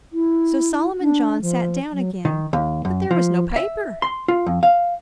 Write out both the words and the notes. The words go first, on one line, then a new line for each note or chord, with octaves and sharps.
So Solomon John sat down again, but there was no paper.
E4
D4
F3
F#3
D#3
D#2
F#2
F3
E5
C6
F4
F2
F5